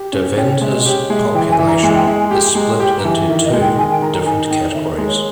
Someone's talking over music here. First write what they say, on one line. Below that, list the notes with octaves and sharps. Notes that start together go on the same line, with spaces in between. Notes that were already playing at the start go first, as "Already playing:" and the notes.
Derventa's population is split into two different categories.
Already playing: G4
C#4
C#4 G5
G5
G#3 E5
D#5
G4 C#5
G#3 E5
E3 G5
G#5
E3
A#5
G#3 G#5
G5
G#3 E5
G#5
G4 G5
G#5
G#3 A#5
G#5
G4 G5
A#5
E3 G#5
D#3 E5
D#5
G#3
G5
D#3 G#5
G5
D#3 A#5
A#5
D#4 G#5
D#4 G5
D#3 E5
G#3
C#5